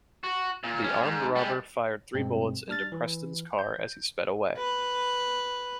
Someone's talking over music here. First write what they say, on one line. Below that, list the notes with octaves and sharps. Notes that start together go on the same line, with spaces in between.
The armed robber fired three bullets into Preston's car as he sped away.
F#4
A#2
G3 C#4
G#2
G3 G#3
G2 B2 G#3 C4
G3 D4 F6 A6
E3
G6
B4